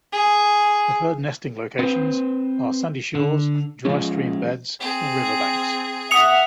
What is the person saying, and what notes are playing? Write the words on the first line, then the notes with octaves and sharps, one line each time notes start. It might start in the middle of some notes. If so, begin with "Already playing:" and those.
Preferred nesting locations are sandy shores, dry stream beds, or riverbanks.
G#4
C4 B4 C5
D3
F3 G#3 C#4
C4 G#4
E5 F#5 D#6 C#7 F7